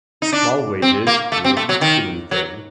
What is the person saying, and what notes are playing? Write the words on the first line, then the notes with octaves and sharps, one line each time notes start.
Small wages. Will eat anything.
D#4
D4
C4
A#3
A3
C4
A3
F#3
D#3
F#3